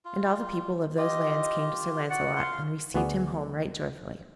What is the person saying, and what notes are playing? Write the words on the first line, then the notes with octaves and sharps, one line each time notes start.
And all the people of those lands came to Sir Launcelot, and received him home right joyfully.
F4
F4 G4 D#5
F#4 D5 F#5
F4 F5 C6
D2 B3 F#4 G#4 D5 F#5